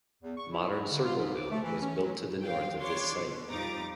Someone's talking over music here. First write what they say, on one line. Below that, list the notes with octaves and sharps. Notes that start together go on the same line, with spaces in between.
Modern Circleville was built to the north of this site.
E2
C#6
E4
D3
F4
G#2
D6
A3
E3
C#4
F#3
F5 G5
D4 C#5 C6 D6
B2
F2 G3 D#4 A#5 D6 A6